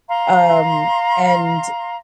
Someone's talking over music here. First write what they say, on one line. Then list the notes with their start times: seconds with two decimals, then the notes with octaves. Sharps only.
um, and
0.09 F5 A#5 C6